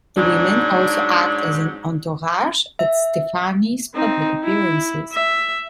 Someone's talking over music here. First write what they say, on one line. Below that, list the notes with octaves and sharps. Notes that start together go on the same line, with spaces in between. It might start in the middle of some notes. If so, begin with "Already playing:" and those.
The women also act as an entourage at Stefani's public appearances.
G#2 F#3 D4
E5
C4 D#4
E4
E5